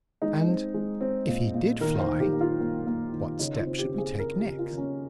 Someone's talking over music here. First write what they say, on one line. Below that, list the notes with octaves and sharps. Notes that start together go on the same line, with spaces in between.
And if he did fly, what step should we take next?
G#3 D#4
C4
G#3
C4
A#2
A#2
D#3 A#4
C5
D#3
G4
A#3
F4
A#3
A#3
D#3
C#3 D#4
F4
C4
G4
C4
G#4
C4 A#4
G4
C#3
F4
C#3
C#4